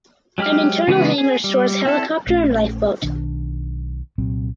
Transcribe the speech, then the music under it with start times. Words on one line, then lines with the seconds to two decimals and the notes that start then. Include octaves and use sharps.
An internal hangar stores helicopter and lifeboat.
0.38 F#3 G#3 G4 B5 F6
0.87 C#3 E3 G#3 B3 G#4
1.18 G#4
1.44 G3
1.85 C4 E4 A4
2.27 A#1 A3 C#4
3.02 B1 D#3 D4
4.18 C2 A#2 F#3 C4